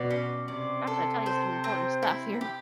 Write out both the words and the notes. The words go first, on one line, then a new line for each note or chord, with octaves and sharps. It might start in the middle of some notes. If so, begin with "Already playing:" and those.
I got to tell you some important stuff here.
Already playing: B2 D5
C#4
C3 D5
A4
C5
C4
E4
G4